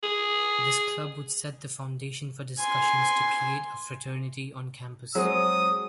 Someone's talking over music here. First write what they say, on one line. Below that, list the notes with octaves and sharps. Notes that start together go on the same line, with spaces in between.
This club would set the foundation for discussions to create a fraternity on campus.
G#4
G#5 C6
F#3 G#3 C4 D#6